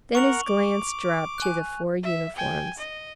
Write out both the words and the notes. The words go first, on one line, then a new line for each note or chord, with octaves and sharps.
Then his glance dropped to the four uniforms.
A#4 F#5 C#6 F7 F#7
D6
G#5 F#6
E5
G5 G#5
D#5